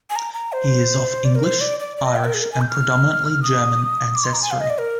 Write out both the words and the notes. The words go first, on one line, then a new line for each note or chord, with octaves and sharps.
He is of English, Irish, and predominantly German ancestry.
G#5
A#5
A#5
C5
D5
A#4
C5
D5
D5
D5
D#5
G5
A#4
G#4
A#4
G#5
G6
F6
D#6
D6
C6
A#5
G#5
F5
D#5
D5
A#4